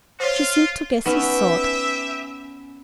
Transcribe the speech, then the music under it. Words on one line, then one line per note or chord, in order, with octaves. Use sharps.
She seemed to guess his thought.
F4 C5 C#5
B3 C#4 D#4 G4 E5